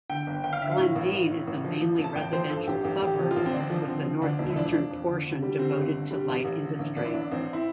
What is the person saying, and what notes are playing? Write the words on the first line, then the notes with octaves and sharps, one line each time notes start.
Glendene is a mainly residential suburb with the north-eastern portion devoted to light industry.
D3 G5
G1
G1 G5
F5
D3 E5
F5
A2
A1
A1
A2
A1
F3
F3
A1
A5
A1 G5
F3 C5
G2 A4
A1 G4
A1 G4
A1
G4
F3
F4
A1
C4
D2 D4
F3
D3 C4
F3
D2 D4
E1
E4
F3 D4
F3
F2
D3
D3
G3
D3 C4
G1
D3
G3
A1
A1
D3
A1
A1 D4
E4
A1 D4
A1 C4
E4